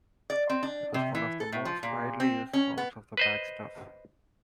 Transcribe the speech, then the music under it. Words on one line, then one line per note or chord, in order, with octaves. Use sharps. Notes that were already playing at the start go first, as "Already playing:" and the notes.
It was one of the most widely used forms of the backstaff.
D5
C4
D4
C3
E3
A4
A2
F3
A#2
C4
C#4
B3
B4 C5 D#5